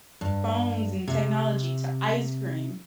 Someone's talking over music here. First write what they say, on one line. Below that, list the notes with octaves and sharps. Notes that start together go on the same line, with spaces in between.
phones and technology to ice cream.
G2
C3